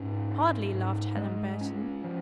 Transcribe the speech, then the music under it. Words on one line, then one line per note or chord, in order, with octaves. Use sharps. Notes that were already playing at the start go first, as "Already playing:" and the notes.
"Hardly," laughed Helen Burton.
Already playing: G#2 C#4
C#4
G#2
G#3
C#4
F3